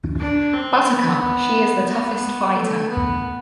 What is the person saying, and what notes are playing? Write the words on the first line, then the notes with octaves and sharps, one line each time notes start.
Buttercup, she is the toughest fighter.
D4
C4
B3
B3
A3
B3